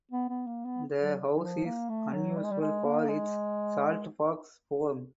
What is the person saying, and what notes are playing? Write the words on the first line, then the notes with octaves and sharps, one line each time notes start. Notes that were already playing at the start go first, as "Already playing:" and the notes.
The house is unusual for its saltbox form.
B3
B3
A#3
B3
F#3
E3
F3
A#3
A3
F#3
G3
G#3
G3
G#3
A#3
G#3